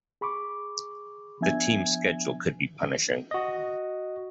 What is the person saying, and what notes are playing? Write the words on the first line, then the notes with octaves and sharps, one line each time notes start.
The team's schedule could be punishing.
G#4 B5 C#6 D6
F3 B3 D4 E5 G#5 G#6
F#4 D#5